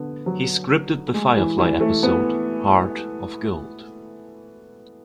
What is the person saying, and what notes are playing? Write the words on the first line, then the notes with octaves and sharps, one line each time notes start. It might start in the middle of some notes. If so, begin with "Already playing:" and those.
He scripted the Firefly episode "Heart of Gold".
Already playing: D3 B3
F#3
G#3
E3
E3
A3
B3